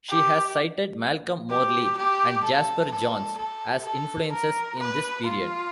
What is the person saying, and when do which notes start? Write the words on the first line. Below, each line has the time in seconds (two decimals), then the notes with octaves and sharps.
She has cited Malcolm Morley and Jasper Johns as influences in this period.
0.09 G4
1.50 G4
1.97 G4
2.44 A4
2.91 A4
3.37 A4
3.85 A4
4.33 A#4
4.79 B4
5.26 F4